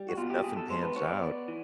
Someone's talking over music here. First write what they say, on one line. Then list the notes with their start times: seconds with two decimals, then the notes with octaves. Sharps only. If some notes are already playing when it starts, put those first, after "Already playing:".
if nothing pans out,
Already playing: G3
0.09 F#4
0.17 B2 F4
0.30 G4
0.43 B2 G#4
0.57 A4
0.70 G#3 C5
0.83 B4
0.95 B3 C#5
1.08 D5
1.21 B3 D5
1.48 E3